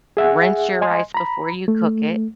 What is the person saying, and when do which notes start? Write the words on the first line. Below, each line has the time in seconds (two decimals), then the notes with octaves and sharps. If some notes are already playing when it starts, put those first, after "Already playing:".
Rinse your rice before you cook it,
0.17 G#4 E5 F#5 G#5
0.81 D#5 G#5 C6
1.14 A#5 B5
1.68 A3